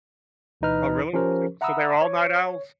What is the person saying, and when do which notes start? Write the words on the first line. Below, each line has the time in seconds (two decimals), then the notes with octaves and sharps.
Oh, really? S So they're all night owls?
0.61 D2 B2 E3 D#4 B4 F6
1.13 F3 C#4 G4 A#4 C5
1.61 E5 F#5 A#5 B5 D#6 E6
2.02 C#5